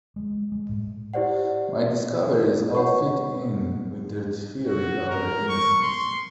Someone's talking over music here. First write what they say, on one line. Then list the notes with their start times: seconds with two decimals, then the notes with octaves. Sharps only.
My discoveries all fit in with the theory of her innocence.
0.16 G#3
0.52 G#3
0.69 A2
1.14 E4 G4 C5 D5 F#5
2.75 C#5 F#5 C#6
4.67 F#4
5.10 A#4
5.49 C#6
5.82 C6